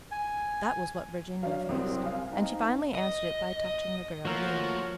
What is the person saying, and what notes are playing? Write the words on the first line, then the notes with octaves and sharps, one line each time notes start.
That was what Virginia faced, and she finally answered it by touching the girl again.
G#5
F#3 D4 F5
C2 C4 G4
F5 G#5
C4 D#4
D#5
D#5
F3 A3 A#3 F#4 A#4 C#5